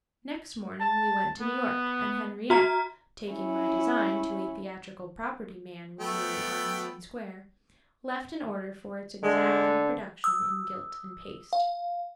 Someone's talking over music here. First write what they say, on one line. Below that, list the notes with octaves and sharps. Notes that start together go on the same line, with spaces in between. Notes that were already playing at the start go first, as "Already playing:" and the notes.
Next morning we went to New York, and Henriette, taking my design to a theatrical property-man we knew on Union Square, left an order for its exact reproduction in gilt and paste.
A5
B3
F#4 A#5
C#4 E4
A3 B3 G5
D3 G#3
D#6 E6
F5